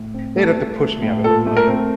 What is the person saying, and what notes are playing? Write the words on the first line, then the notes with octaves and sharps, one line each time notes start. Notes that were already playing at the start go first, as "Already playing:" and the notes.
They'd have to push me out of the plane.
Already playing: A2
C4
A3
A3
A3
A2
A#2 A4
A3
A#4
C4